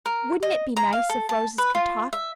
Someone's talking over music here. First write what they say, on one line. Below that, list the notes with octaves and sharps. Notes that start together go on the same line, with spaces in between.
Wouldn't it be nice if roses could talk?
A#4
D#5
A#5
F5
A4
A5
B4
F4
E5